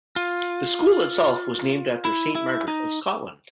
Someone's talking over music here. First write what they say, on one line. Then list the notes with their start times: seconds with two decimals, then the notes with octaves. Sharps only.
The school itself was named after Saint Margaret of Scotland.
0.16 F4
2.05 E4
2.35 E4
2.68 D#4